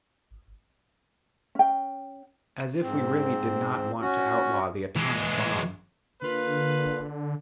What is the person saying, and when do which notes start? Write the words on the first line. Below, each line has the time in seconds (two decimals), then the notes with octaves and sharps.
As if we really did not want to outlaw the atomic bomb!
1.55 C#4 G5
2.82 G#2 C4
4.02 C#4 F#4
4.96 E3 G#3
6.22 D3 A#3 F4 B4